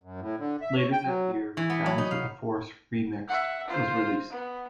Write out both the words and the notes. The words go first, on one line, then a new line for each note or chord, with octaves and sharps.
Later that year, "Balance of the Force - Remixed" was released.
F#2
A2
D3
E5
C#5
G5
F#3
E3
B3
F#3
D#4
F5
E5 F#5
F4 C5
B3